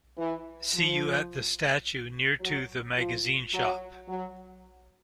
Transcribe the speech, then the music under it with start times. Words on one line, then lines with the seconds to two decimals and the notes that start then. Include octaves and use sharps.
See you at the statue near to the magazine shop.
0.18 E3
0.74 F3
2.41 F#3
2.97 F3
3.53 F#3
4.08 F#3